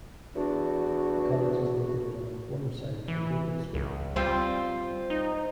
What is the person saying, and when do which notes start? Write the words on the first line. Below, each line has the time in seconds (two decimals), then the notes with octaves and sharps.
The College is located on the former site of the Gilberd School.
0.35 E2 D4 F#4
3.08 E3
3.74 C#2
4.16 G3 C4 F4 C5
5.10 D#4